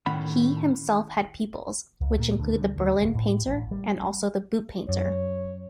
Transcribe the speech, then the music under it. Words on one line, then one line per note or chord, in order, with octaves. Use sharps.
He himself had pupils, which include the Berlin Painter and also the Boot Painter.
A2 D#3 C#4 F#5 B5
C#2
A#2
D2
G3
D2
D1
A2
A1
G3
F#2 C#5